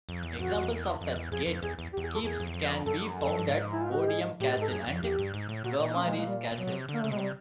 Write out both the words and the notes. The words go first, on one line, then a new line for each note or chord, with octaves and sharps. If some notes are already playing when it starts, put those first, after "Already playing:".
Examples of such gate keeps can be found at Bodiam Castle and Beaumaris Castle.
F2
E2
F2 F#4
E2
F2
E2
F2
E2
F2 G#4
F2
E2 G#4
E2
G4
E2
G#4
A4
E2 G#4
F2
E2
F2
F#2 A4
F2 A4
F#2
G2
G#2
E4
F4
F#4
G4
G#4
A2 G4
G4
G#2 A4
F#2 G#4
F2
E2 G4
G2
G#2
A2
A#2 F#4
A#2
D#4
C#4
G#3
G#3
G3
A#2
B2 F#3
B2
C3
D3
A#3
C#3 A3
B2 G#3
C3 G3